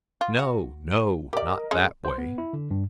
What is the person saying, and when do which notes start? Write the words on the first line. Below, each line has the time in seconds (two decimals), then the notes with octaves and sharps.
No, no! Not that way.
0.21 F4
0.39 F#4
1.33 G4 A#4 D5 D#5
1.71 G#3 C#4
2.05 C5
2.18 B3
2.38 E4
2.53 D3
2.71 G2